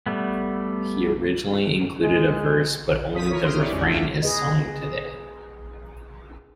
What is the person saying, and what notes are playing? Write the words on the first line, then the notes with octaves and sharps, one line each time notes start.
He originally included a verse, but only the refrain is sung today.
G3 A3 B3
G#3
F3 D#6 B6
E3 A#4 C#5
C6 D#6 F6 D7
C4 E4 G4 C#5 D5
F2 G#3 C#4
C#2 A3 D4 F4 E5
G#4 B4 D#5